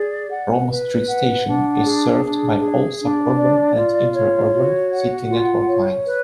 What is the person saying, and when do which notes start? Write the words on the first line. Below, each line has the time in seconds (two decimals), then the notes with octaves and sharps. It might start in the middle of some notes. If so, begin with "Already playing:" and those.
Roma Street station is served by all suburban and interurban City network lines.
Already playing: G#4 D5
0.31 F#5
0.69 B4
1.08 F#5
1.46 D4
1.85 G#4
2.23 D4
2.61 G#4
3.00 D4
3.38 D5
3.76 F4
4.15 C#5
4.53 F#4
4.91 F#5
5.30 F4
5.68 C#5
6.07 B4